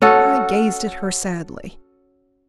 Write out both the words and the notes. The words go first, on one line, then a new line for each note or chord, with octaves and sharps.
I gazed at her sadly.
C#4 F#4 A4